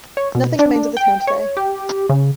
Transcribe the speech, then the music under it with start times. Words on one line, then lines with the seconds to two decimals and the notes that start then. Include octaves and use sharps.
Nothing remains of the town today.
0.17 C#5
0.35 B2
0.59 D4
0.97 G5
1.27 C#5
1.57 G4
2.09 C#3